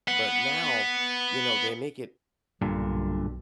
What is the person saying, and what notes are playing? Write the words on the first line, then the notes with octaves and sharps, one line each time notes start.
but now, you know, they make it
B3 F#5
B1 G2 A#2 D3